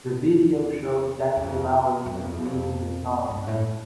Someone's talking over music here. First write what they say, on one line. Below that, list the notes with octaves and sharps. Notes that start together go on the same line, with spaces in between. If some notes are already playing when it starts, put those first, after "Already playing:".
The video shows Dante Bowe leading the song.
E2
E2
F2
F#2
F2
E2
F2
G2
A2